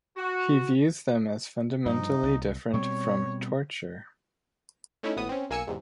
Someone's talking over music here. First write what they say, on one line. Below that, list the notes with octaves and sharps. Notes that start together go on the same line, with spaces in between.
He views them as fundamentally different from 'torture'.
F#4
G2 F3 D#4
C2
B2 G3 C4 C#5
A3 C#4 D#4 E4
G#1 A2 B3 D#6
C4 C#4
B1 A#3 G#5 E6 C#7
E2 G#2 C3